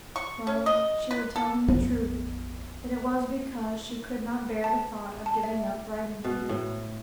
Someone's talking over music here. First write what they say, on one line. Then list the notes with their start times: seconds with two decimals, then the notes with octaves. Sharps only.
Well, she would tell him the truth--that it was because she could not bear the thought of giving up writing to him.
0.16 C#6
0.47 C#4
0.66 D#5
1.11 B4
1.36 A4
1.68 A#1 F2 F3 B3
4.64 A5
5.26 A5
5.43 E5
6.24 B2
6.49 A2